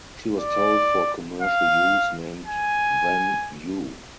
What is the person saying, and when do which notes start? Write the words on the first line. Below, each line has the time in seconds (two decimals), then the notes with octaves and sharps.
She was sold for commercial use named Wan You.
0.40 D5
1.42 F5
2.46 G#5